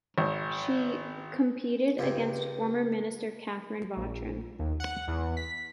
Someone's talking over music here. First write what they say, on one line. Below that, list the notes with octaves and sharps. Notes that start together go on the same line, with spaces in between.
She competed against former minister Catherine Vautrin.
G#1
C#2 G2
A#1
D#2
F#5
E2
B6